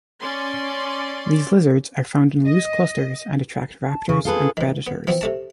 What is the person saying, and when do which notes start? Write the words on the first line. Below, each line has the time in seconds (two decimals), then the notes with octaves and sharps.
These lizards are found in loose clusters and attract raptors and predators.
0.19 C#4 D5 C6
2.45 D#5
3.87 A5
4.09 C#3 C#6
4.25 F4 G#4 A4 B4
4.57 D#3 E3
4.87 B3
5.07 E3 F3 B3 C4
5.21 C3 A3 A5